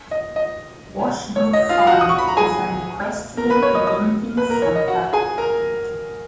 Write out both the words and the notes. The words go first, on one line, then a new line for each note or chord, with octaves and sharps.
Washbrook Farm, is an equestrian eventing centre.
D#5
D#5
C#5
D#5
F4 F5
F5
F#4 F#5
D#6
C#6
B5
A#5
G#4 G#5
A#4 A#5
B4 B5
C#5 C#6
D#5 D#6
D#5 D#6
B4 B5
A#4 A#5
C#5
D#5
F#4 F#5
G#4 G#5
A#4 A#5